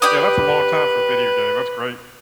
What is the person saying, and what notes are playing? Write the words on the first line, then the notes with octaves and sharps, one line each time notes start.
Yeah, that's a long time for a video game, that's great.
G4 B4 D5 D#6